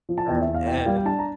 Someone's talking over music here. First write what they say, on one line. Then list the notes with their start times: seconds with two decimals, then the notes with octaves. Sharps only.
a and
0.09 F3
0.18 A5
0.28 E2 G5
0.42 E5
0.48 E2
0.54 F5
0.67 E3 G5
0.77 G5
0.86 G3 F5
0.97 G5
1.05 D4 A5
1.19 A#5